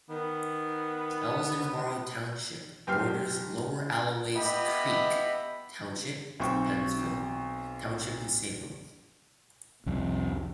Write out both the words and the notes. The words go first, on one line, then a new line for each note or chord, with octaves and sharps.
Elsinboro Township borders Lower Alloways Creek Township, Pennsville Township and Salem.
D#3 B3
F#1 G4 G5 C6 F6 C7
B3 G4 D#5 E5 B5
B1 C4 G5 C#6
C2 F2